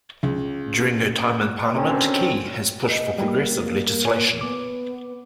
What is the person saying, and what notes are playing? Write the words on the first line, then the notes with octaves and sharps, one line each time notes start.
During her time in parliament, Key has pushed for progressive legislation.
C#2
B2 D3 D#3 C4 C#4
D#5
G3 A#3 G4
A#2 C#5 G#5
B3 D6